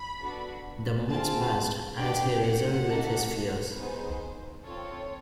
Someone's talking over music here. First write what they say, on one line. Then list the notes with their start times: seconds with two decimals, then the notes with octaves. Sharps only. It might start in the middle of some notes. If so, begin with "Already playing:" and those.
The moments passed as he wrestled with his fears.
Already playing: B5
0.20 B3 D4 F#4 A4
1.08 C4 F4 G#4 A5
1.97 D4 G4 G5
2.42 F#5
2.86 A#3 D#4 F#4 A4
3.75 B3 D#4 G#4 C5
4.64 C4 F4 A4 C#5